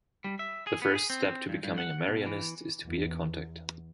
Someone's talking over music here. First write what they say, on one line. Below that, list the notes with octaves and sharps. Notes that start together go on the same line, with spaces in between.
The first step to becoming a Marianist is to be a Contact.
G3
E5
G#4
B3
G#4
C4
G2
G2
F#5
B2
E3
E2